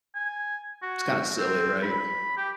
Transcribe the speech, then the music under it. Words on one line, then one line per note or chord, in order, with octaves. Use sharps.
It's kinda silly, right?
G#5
F#4
C4
B5
G4